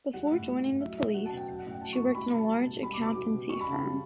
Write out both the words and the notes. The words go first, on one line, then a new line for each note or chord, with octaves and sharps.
Before joining the police, she worked in a large accountancy firm.
G3 F#5
A2
G3
A2
F#3 E5
B2 E5
F#3 F#5
A5
B2
G5
F#3 F#5
F#5
A2
G5
F#3 A5
C#6
A2
C#6
G3 B5
B2
A5
G3 A5
B2
G3 B5
D6
B2
D6
G3
B2
G3 C#6
B5
C#3 A5
G3